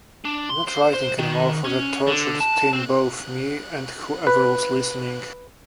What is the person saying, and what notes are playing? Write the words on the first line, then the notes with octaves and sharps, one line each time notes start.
I'm not writing anymore for the tortured teen-both me and whoever was listening.
D4
C6
C5
C5
D#3
C#4
D3
A5
C4
B4